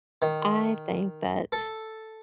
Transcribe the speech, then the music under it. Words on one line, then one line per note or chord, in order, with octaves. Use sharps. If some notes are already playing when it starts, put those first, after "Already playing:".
I think that
D#3
A4